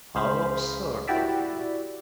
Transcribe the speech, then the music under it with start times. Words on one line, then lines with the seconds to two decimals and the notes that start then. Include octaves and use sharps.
How absurd of you!
0.15 C#2 G#4 C5 F5 B5
1.08 E4 F#4 G4 D5 E5